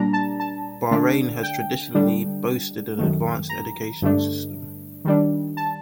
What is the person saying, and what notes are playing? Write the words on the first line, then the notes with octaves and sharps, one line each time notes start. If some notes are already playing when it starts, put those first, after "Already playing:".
Bahrain has traditionally boasted an advanced educational system.
Already playing: A#2 G3 D4 A#5
A5
A5
D3 A3 D4
G5
D3 G3 D4
F#2 D#3 A3
A#5
G2 D3 A3 D4
D#3 G3 D4
A5